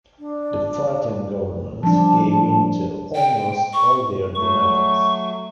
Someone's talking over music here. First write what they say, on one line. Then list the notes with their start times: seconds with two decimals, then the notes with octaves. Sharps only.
The frightened government gave in to almost all their demands.
0.19 D4
1.83 F3 G3 D4 A5
3.15 G5
3.73 C#6
4.35 F#3 A3 C#6